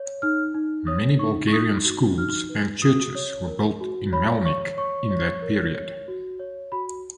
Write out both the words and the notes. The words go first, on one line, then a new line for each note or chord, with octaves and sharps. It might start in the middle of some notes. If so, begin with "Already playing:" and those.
Many Bulgarian schools and churches were built in Melnik in that period.
Already playing: C#5
D#4 F6
D#4
C#5 D#6
D#4 C#6
C#6
D#4 D#6
F#4
D#4 F6
B4
F#4 D#6
C#5
A#4
F#4
C#5 B5
C#5 C#6
C#5 C#6
C#5
A#4
C#5
F#4
C#5
F#4 B5